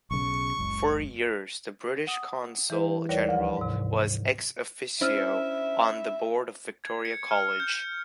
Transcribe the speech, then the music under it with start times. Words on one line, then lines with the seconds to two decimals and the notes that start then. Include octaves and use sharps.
For years the British Consul-General was "ex officio" on the board of Victoria College.
0.11 B1 C#3 C#6
0.59 F#1 C#2
2.07 F#5 D#6
2.70 E3 E4 B4
3.09 D#2 G3 A#4 C#5 D5
3.29 D2 F3 F#5
3.57 G#2 C3
5.01 C#4 D4 E4 C5 E5 E6 F6
6.84 G#6
7.05 C#7
7.31 F6
7.60 G6